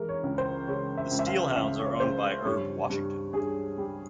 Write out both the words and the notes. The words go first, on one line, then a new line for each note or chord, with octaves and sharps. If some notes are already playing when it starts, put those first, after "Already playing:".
The SteelHounds are owned by Herb Washington.
Already playing: E3 G#3 A#4
C#5
C#2
C5
C#3 C#5
E5
C#2
E5
F5
C#2 E5
C#5
C#3 C5
G2 C#5
G2
G2 G#4
G3